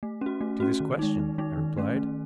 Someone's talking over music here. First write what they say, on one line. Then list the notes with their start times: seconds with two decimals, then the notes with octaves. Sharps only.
"To this question," I replied.
0.03 A3
0.21 C#4 F#4
0.41 A3
0.60 C#4 F#4
0.80 D#3
0.99 G#3 D#4
1.19 D#3
1.38 G#3 D#4
1.58 D#3
1.77 A3 C#4
1.96 D#3